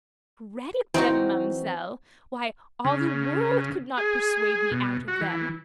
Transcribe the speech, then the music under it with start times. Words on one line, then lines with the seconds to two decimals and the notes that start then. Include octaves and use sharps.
'Credit them, ma'amselle! why all the world could not persuade me out of them.
0.94 E3 C4 D#4 F#4
2.85 C#3
3.98 G#4
4.71 B2
5.08 F#4
5.21 E3